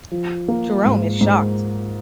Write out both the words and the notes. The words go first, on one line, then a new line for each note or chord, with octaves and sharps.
Jerome is shocked.
F3
A#3
G#2
G#2